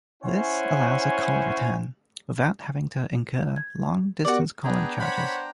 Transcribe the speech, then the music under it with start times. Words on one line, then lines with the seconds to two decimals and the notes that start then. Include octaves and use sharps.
This allows a call return without having to incur long distance calling charges.
0.23 C#4 E4 C5 C#5 F#5 G#5
3.56 G#6
4.25 B3 F#4 G4 A#4 D5
4.64 B3 D4 G#4 G5 A#5
5.00 C5 C#5 F#5 B5